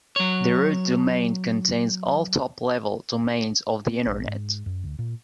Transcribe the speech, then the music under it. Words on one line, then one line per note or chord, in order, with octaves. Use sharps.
The root domain contains all top-level domains of the Internet.
F#3 C#5
B3
A#1
G#2
F#2
D2
A#2